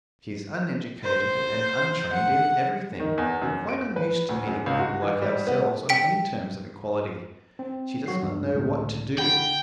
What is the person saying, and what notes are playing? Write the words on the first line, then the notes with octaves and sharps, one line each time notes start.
She is uneducated and untrained in everything, and quite unused to meeting people like ourselves on any terms of equality. She does not know what to do.
C5
F#5
D#3
E2
F#2
D7
B4
D2
F#2
C#2
F#4
E3
G3
B3
G5 B6 D7
C4
F#3 F#4 C7
G2
C#2 A2 D3
D3 F#5 G5 B5